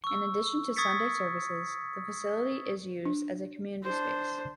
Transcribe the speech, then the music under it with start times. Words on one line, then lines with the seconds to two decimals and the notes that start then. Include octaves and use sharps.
In addition to Sunday services, the facility is used as a community space.
0.04 C#6 E6
0.76 C#6 D#6 G#6 A6 B6 C#7
3.06 D4
3.84 D4 C5